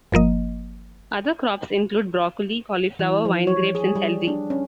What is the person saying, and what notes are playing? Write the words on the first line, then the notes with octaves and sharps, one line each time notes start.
Other crops include broccoli, cauliflower, wine grapes, and celery.
G1 F3 A#3 D#5
E3
F3
C#5
G#4
G3
D4
C#4